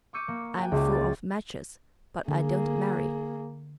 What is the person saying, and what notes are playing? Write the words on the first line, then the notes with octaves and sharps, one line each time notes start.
I am full of matches, but I don't marry.
C#6 D6 E6 G6 C#7 D#7
A#3
F#4 G5 G#5
C#2 E5 D6
A6
D3 A#3 G#4